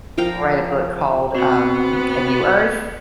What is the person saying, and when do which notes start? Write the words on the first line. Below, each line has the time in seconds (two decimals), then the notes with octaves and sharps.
write a book called, um, A New Earth,
0.17 F3 A#4 F5 G5
1.35 B3 C4 F#4